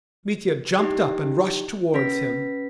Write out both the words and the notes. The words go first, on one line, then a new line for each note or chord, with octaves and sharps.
Mitya jumped up and rushed towards him.
D#4 E4 G4
C#4 B4 A#6 B6